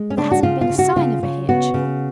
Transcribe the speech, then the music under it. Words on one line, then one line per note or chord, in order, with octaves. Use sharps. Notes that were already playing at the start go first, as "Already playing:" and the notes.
There hasn't been a sign of a hitch.
Already playing: G#3
C#4
C#3 D4
F#4
C#3 F4
F4
C#3
F#4
C#3 F4
C#3
B3 F#4
C#3